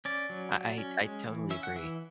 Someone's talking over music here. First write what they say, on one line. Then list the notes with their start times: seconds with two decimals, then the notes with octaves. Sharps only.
I I I totally agree.
0.05 C#4 D5
0.30 F#3
0.54 F#3
0.78 C#4
1.03 G#3
1.26 E3
1.50 C#4 E5
1.63 F#5
1.76 E3 E5